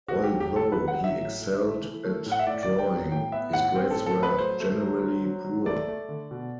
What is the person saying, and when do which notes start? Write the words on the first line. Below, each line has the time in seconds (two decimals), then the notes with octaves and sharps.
Although he excelled at drawing, his grades were generally poor.
0.08 A3 F#4
0.23 G4
0.34 F#3
0.40 G4
0.56 F#3 A4
0.72 F#3 B4
0.88 F#5
0.98 F#3
1.04 E5
1.20 A2
1.41 A3
1.62 A3
1.83 E3
2.05 A3
2.26 A2
2.32 F#5
2.39 E5
2.47 A2 D5
2.63 D5
2.68 F#3
2.79 G5
2.90 F#3
3.11 A2 G5
3.32 B3 E5
3.53 A2 F#5
3.75 C4 G5
3.91 A2 A4
4.06 A4
4.18 A3
4.23 B4
4.38 F#3 C5
4.60 A3
4.81 F#3
5.02 F#3
5.24 F#3
5.45 F#3
5.66 A3 D5
5.88 A3
6.09 D3
6.31 B2